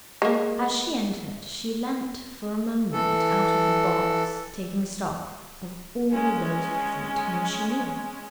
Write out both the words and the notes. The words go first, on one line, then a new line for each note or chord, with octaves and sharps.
As she entered, she leant for a moment out of the box, taking stock of all those present whom she knew.
G#3 A#3
E3 A4
G#3 C#4